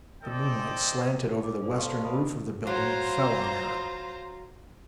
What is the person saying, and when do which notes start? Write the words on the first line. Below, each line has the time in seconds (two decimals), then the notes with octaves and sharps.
The moonlight slanted over the western roof of the building and fell on her.
0.23 A4 C5 D5 D#5 G5
1.44 D6
1.61 A4 C5 D5
1.75 D5 D#5 F5 A5 C6 C#6
1.90 A#5
2.05 G#4 B4 C5 D#5 B5 D#6
2.67 F#3 F4 C5 A#5